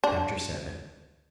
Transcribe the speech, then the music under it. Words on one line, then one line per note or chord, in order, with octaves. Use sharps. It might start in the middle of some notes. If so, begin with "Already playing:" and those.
Chapter VII.
D4